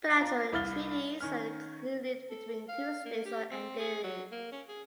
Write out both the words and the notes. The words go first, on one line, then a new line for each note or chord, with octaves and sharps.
Bilateral treaties are concluded between two states or entities.
F4 A#5
C2 E4 F5 F6 A6 G7
D#3 C#4 F6
A4
F5
A#3
G4
C4
G#4
F#3
A#3
C#4
G#4